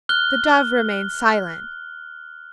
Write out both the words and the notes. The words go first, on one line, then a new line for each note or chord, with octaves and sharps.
The Dove remained silent.
F6 F#6 G7